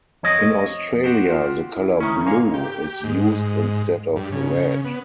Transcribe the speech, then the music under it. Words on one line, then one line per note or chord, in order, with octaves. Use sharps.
In Australia, the color blue is used instead of red.
F2 C#5 D#5
F#4 G4 C5
F4
E4
D#3 C#4
G#2 A#3 C#5 F5
G4
G#2
G2
C#3
B3